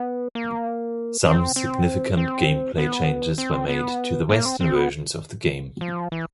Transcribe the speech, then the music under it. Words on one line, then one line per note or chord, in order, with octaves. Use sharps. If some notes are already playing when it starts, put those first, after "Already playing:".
Some significant gameplay changes were made to the Western versions of the game.
Already playing: B3
A#3
C4
C4
C4
B3
C4
B3
A#3
C4
C4
B3
F3
E3